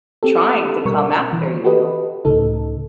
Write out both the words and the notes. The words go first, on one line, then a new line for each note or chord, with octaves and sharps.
trying to come after you.
C4 G4 A4
B2 G3 A#4 C#6
E3
F#4 G4 A4 B4 D#5
C#2 A2 C#3 D#4 A4